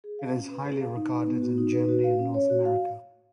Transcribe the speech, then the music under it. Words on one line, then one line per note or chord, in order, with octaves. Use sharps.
It is highly regarded in Germany and North America.
G#4
F5
C#4
B4
G#4
F5
D#4
B4
B3
F#4
D#4
B4
F#4
F5
C#4
C#5
F#4
F5